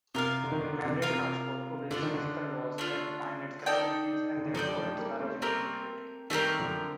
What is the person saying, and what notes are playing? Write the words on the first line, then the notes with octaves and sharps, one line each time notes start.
Membrane transport obeys physical laws that define its capabilities and therefore its biological utility.
C3 F4 A#4 F5
D3
D#3
D3
D3
C3
F4 A#4 F5
C3
D3 A3 D4 F4
D#3
D3
A3 D4 F4
D#4 A4 D5 G5
D3
D#3
D3 F3 D#4 A4 D5 G5
G3
F3 A3
G3 A#3
A3 C4
G3 A3 A#3 C4 G4 A#4
D#3 G3 A3 C4 G4 A#4
D3 F3